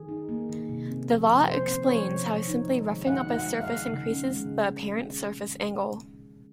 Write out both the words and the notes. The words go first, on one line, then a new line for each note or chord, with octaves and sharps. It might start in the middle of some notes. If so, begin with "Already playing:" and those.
The law explains how simply roughing up a surface increases the apparent surface angle.
Already playing: D#3 G#4
D#4
A#3
D#3
C3
C4
F3
C3
C3 C5
C4
F3 C#5
C3
D#3
D#4
G#3
D#3
D#3 F#5
D#4
F#5
G#3
F5
D#3
C#3
C#4
G#3
C#3